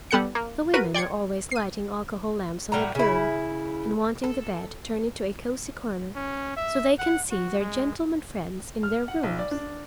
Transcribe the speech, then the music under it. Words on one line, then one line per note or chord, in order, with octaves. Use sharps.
The women are always lighting alcohol lamps on the bureau, and wanting the bed turned into a cozy corner so they can see their gentlemen friends in their rooms.
G3 B3 A4 F#5 G6 C#7
A#3
F#4 A#4 B4 D#7
D5 G5 C6 G#6 C#7
C7 D#7
A2 G3 F#4 A#5
C#3 E4
A4
C#4
E5
F#5
F#4
G#3
F6
F#5
B1
D5
D4